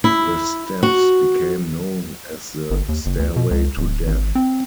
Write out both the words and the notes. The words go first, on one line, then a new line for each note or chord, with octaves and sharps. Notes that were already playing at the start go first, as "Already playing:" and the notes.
The steps became known as the "Stairway to Death".
E4
F#4
G1
D#2
F#1
D2
B2
C#2
D1
G#1
C4